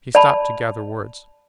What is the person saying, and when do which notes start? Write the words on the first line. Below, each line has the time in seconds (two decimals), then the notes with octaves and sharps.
He stopped to gather words.
0.15 D5 A5 B5